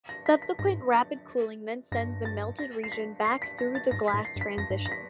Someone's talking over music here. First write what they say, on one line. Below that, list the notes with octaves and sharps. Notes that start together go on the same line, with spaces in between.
Subsequent rapid cooling then sends the melted region back through the glass transition.
A#6
B6
B6
G#2 A#6
A6
G2 A#6
A6
A#6
C7
B6
C7
B6
A#6
A6
G#2 A#6
B6
A2
C7
G2
B6
F#2 A#6
G#2
G2
A#6
B6